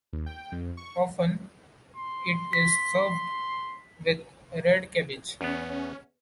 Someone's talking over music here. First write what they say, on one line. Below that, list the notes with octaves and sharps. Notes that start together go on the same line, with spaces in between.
Often it is served with red cabbage.
D#2
G5
F2
C#6
C6
B6
E2 B3 C#4